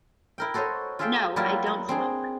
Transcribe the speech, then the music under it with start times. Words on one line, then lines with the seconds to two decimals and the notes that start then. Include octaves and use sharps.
No, I don’t smoke.
0.38 E4 A#4 G5
0.54 F#4 A4 C5 C#5 D#5
0.99 F4 G#4 A4 E5 F5 G5
1.36 F#3 G3 A#3 E4 F4 G4
1.67 F#5
1.89 C4 D4 G#4